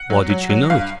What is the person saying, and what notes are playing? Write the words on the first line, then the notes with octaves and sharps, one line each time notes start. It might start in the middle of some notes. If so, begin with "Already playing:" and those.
Why did she know it?
Already playing: F#5
F#3
F#3
F#3
G2 F5